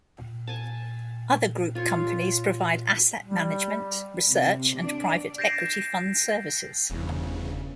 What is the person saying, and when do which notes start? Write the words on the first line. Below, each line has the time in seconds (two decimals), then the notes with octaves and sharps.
Other group companies provide asset management, research and private equity fund services.
0.20 A#2
0.47 G#5 A5
1.75 F4 C#5
3.23 G3
4.29 C3
4.78 D4 D5
5.38 G6 A6 A#6 C7 D7 E7
6.90 F1 E2 G2 C#3